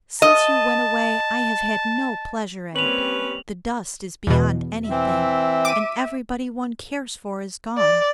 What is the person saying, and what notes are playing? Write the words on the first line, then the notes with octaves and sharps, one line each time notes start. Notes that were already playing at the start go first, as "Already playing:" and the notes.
Since you went away, I have had no pleasure in it--the dust is beyond anything; and everybody one cares for is gone.
D#5 A5
G3 A#3 C4 C#4 B4 F7 F#7
E2 B2
E3 C4 E5
D6 D#7
D5